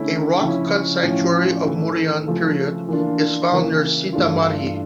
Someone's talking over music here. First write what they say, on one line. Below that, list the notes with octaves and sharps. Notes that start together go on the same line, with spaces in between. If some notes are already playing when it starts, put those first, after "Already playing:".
A Rock cut sanctuary of Mouryan period is found near Sitamarhi.
Already playing: D3 A3 C#4 E4
C#3 F3 C#4 E4
A2 F3 C#4 F4
E3 A3 E4
C#3 F3 A3 C#4 F4
E3 A#3 D4 F4
C#3 E3 A#3
G2 E3 A3 D4 F4